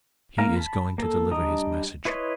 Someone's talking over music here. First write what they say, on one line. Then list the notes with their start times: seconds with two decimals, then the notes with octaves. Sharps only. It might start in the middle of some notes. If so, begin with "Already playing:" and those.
He is going to deliver his message.
0.38 A#3 F5 A#5
0.56 A5 B5
0.98 A#3 A4
1.31 G3 D4 D#5 A#5 D#6
2.05 E4 B4 C#5 D#5 C6